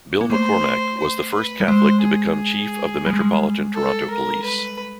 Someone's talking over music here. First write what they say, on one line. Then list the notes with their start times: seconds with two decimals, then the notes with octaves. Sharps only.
Bill McCormack was the first Catholic to become Chief of the Metropolitan Toronto Police.
0.21 A#3
0.30 A3 C5
0.99 C5
1.34 B4
1.60 G3
1.68 G#3 C5
2.03 G#4
3.06 G3
3.13 G#3
3.21 G3
3.75 A4
4.10 A#4
4.44 B4